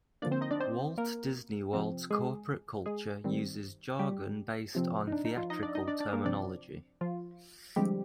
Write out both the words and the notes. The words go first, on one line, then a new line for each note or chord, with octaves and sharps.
Walt Disney World's corporate culture uses jargon based on theatrical terminology.
D3 F3 A#3 D4 D5
C4 C5
D#4 D#5
D4 D5
C4 C5
A#3 A#4
C3 F3 C4
G#3 G#4
G#3 G#4
D#3 G3 C4
G3 G4
C3 F3 C4
D#4
D4
D#4
F3 F4
D#4 D#5
D4 D5
D#4 D#5
D4 D5
D4 D5
G#4
A#3 A#4
C3 F3 C4 D4 D5
F3 F4
D3 F3 G3 G#3 C4 G4